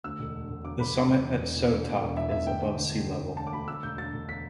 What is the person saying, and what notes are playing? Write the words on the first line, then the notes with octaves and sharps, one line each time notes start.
The summit at Sough Top is above sea level.
D2 E6
E1
D3
E1
D2 D6
E1 B5
D3
E1
E2
E1
E3
E1
E2
E1
E3 E5
E1 E5
D3 G5
D3
D2
D2
D3
D3
D2 A5
D6
D2 B5
D2 E6
E1 G6
D3 A6
E1
B6